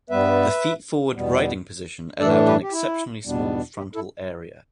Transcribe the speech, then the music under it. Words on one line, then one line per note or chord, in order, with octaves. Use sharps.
The feet forward riding position allowed an exceptionally small frontal area.
G2 G3 B3 B4 E5
E2 B2 G3 B3
A2 E3 A3 D4 A4 D5
G4 B4
G4
E4
E2 B2 G3 B3 D4
G4
E4 A4